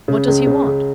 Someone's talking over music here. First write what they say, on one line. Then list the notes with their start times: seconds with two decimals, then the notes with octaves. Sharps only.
"What does he want?"
0.08 C#3
0.28 C#2
0.47 C#3
0.66 C#2